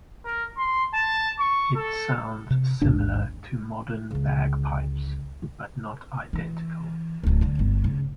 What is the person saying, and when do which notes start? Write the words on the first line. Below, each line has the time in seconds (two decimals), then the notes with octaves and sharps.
It sounds similar to modern bagpipes, but not identical.
0.25 A#4
0.57 C6
0.94 A5
1.39 C#6
1.76 A4
2.50 C3
2.82 A1 D#2 G#2 D4
4.11 C#2 D3
6.33 E3
7.23 D1 A#1
7.41 D3
7.59 G1
7.84 C#3